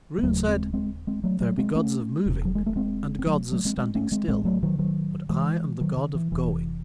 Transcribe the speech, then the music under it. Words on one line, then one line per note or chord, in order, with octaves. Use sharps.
Roon said: "There be gods of moving and gods of standing still, but I am the god of Going."
G#3
E1 D#2 C#3 F#3 A3
G#3 C4
G#3 C4
G#3 C4
F#3 A3
F#3 A3
G#3 C4
A3 C#4
E1 E2 C3
F#3
G#3
A3
G#3 C4
C4
F#3 A3
F#3 A3
G#3 C4
G#3 C4
A3 C#4
G#3 C4
A1 A2 G#3 C4
F#3 A3
D#3 F#3
D#3 F#3
E3 G#3
D#3 F#3
D#3
E3
E1 E2 C3 E3